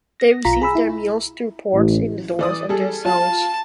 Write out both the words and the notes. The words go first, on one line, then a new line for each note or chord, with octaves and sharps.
They receive their meals through ports in the doors of their cells.
A#6
B1 F4 A#5 B6
G#4 B5 E6
E4
A1
E3 D5 D#6
G3 G#4 A4
F4 A5